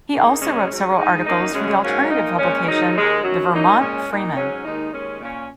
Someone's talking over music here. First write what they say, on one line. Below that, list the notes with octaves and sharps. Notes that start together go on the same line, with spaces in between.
He also wrote several articles for the alternative publication "The Vermont Freeman".
C#3 A#3 D#4
D#2 C#3 G#3 C#4
G#2 F#3 C#4
G#2 G#3 D#4
F#2 D#3 A#3 D#4
F#2 C#3 G#3 C#4
G#2 F#3 A#3 C#4
A#2 A#3 D#4
A#2 G#3 C#4
G#2 D#3 F#3 D#4
D#2 D#3 G#3 D#4
F#2 D#3 F#3
F#2 F#3 A#3 D#4
A#2 G#3 C#4
A#2 A#3 D#4
G#2 F#3 C#4
D#2 D#3 G#3 D#4
D#2 D#3 G#3 C#4
A#2 A#3 C#4